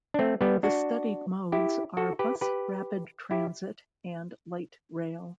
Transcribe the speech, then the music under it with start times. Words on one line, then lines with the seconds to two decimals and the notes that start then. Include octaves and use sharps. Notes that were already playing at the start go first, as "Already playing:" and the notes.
The studied modes are Bus Rapid Transit and Light Rail.
0.14 D4
0.19 A3 C4
0.41 G3 B3
0.63 D4 F#4
1.52 E4 G4
1.97 F#4 A4
2.19 G4 B4
2.41 G4 B4
3.31 E4 G4